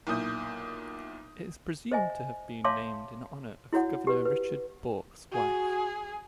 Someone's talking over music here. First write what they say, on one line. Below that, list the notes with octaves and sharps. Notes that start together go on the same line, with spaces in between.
It is presumed to have been named in honour of governor Richard Bourke's wife.
B1 A#2 E4 D#6 G6
C5 D#5 E5 G#5
C#5 E5 F5 A5 C6 D6
E4 F#4 C#5 F#5
G4 B4
B4
F#4 G#4